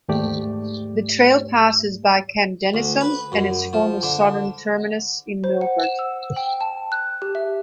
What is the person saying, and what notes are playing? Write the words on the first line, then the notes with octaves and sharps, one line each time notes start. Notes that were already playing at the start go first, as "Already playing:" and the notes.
The trail passes by Camp Dennison and its former southern terminus in Milford.
D#2 G#2 A3 G4 D5
D2
B4
F#2
F3
D3
C5
F#5
E7
E6
G5
A5
F#6
G4
E5